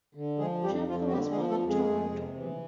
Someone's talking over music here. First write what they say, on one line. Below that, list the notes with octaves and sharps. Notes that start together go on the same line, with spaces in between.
Chappell was born in Toronto.
D3
F3 G#3 G#4
F2 G3 G4
F2 F3 F4
F#4
D3 G3 G4
G#3 G#4
F3
A3 A4
F2
G#3 G#4
F2
C3
E3